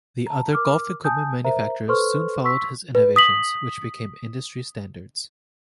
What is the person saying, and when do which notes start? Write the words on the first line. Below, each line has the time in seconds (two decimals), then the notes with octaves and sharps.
The other golf equipment manufacturers soon followed his innovations, which became industry standards.
0.26 A5 A#5
0.53 A#4 D6 F6
1.04 G#5 A5 D#6 G6
1.45 A#4 C5 E5 A#5
1.88 A4 B4 C5 C6 C#6 F6
2.44 C6 C#6 E6 B6
2.95 B4
3.16 D#6 B6 F#7